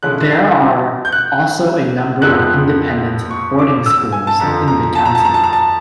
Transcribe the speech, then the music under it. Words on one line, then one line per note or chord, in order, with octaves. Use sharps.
There are also a number of independent boarding schools in the county.
D3 F3 G#3 C#4 E4 F#6
G6
F#6
F2 C3 F3 G#3 B3 F#6
C#6
D6
E6
G#5
A5
F2 D3 F3 A#5
A#5
A5
A#5
A5
A#5
A5
A#5
A5